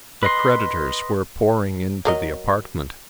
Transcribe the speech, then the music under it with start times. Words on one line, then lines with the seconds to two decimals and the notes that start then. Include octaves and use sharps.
The creditors were pouring into the apartment.
0.23 B4 D#5 C6
2.05 F#3 A#4 D#5